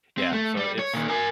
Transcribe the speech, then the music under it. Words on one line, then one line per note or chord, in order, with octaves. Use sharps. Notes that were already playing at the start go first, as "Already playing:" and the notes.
Yeah, so it's
C4
A3
G3
C#5
A#2 D#3
A#4 G#5